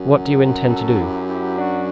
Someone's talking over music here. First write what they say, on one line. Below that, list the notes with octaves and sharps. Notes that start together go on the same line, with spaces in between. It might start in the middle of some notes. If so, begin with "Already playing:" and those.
What do you intend to do?
Already playing: F#2 F#3
F#4 A4
E4 G4
E4 G4
D4 F#4